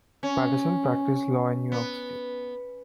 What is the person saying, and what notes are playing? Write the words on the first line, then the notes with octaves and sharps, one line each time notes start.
Patterson practiced law in New York City.
C#4
B3